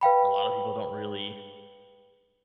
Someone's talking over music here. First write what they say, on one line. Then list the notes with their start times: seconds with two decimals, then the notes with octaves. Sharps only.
a lotta people don't really,
0.01 B4 F5 G5 B5